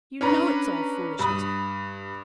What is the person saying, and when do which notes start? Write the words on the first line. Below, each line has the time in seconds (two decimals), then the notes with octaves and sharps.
You know it's all foolishness.
0.21 C#4 D4 B4 A#5
1.19 G2 B5 D#6